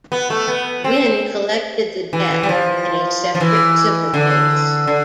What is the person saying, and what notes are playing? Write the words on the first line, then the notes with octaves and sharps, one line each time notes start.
Wynn collected the debt in a separate civil case.
B3
A3
B3
C4
E3
E3
G3
F3
F3
E3
D3
D3